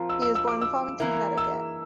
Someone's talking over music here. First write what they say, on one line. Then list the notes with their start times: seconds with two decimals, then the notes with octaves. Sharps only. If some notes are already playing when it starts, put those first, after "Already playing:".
He was born in Farmington, Connecticut.
Already playing: F3 C4 F4 A#4
0.09 E6
0.22 E6
0.35 E6
0.48 D6
0.61 E6
1.00 E3 A#3 E4 A#4
1.37 E6